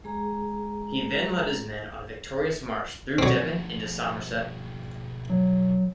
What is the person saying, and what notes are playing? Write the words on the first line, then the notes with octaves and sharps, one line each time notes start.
He then led his men on a victorious march through Devon into Somerset.
G#3 G#4 A#5
B2 F3 F#3 C4
F#3